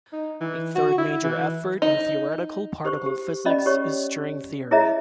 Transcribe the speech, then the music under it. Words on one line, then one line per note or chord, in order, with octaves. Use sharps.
A third major effort in theoretical particle physics is string theory.
D#4
E3
F#4
E4
E3
D#4
G4 C5 C#6
G4
C#4 D5 D#5 B5
G4 C#5 C#6
E4 G#4 C#5 D#5 E5 A#5